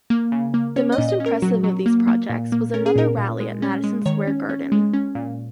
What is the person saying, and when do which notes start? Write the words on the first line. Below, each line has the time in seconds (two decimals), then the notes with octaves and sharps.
The most impressive of these projects was another rally at Madison Square Garden.
0.10 A#3
0.32 C#3
0.54 A#3
0.76 C#4 C#5
0.92 D#5
0.98 A#2
1.09 D#5
1.20 C#4
1.26 A#4
1.42 F#3 F#4
1.64 F#3
1.86 A#3
2.07 A#3
2.30 A#2
2.52 A#3
2.74 C#4 A#4
2.86 G#4
2.96 A#2 A#4
3.18 A#2
3.40 G#3
3.62 C#4
3.84 G#3
4.06 D#3 C#5
4.27 C#4
4.49 C#4
4.72 G#3
4.94 C#4
5.15 A#2